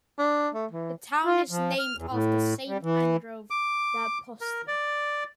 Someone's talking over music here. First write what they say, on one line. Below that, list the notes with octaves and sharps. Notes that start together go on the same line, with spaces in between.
The town is named after Saint Andrew the Apostle.
D4
A3
E3
F4
F3
F6
E2
A2
G3
E3
D6
A#4
D5